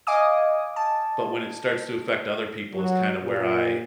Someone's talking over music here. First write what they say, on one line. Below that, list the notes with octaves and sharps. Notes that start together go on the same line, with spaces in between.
but when it starts to affect other people is kinda where I
D#5 F5 G#5 D6 D#6
A5
F#3
A#2